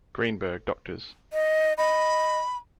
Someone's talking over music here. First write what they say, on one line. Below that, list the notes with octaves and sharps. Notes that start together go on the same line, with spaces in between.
Greenberg, Drs.
D#5
D#5 B5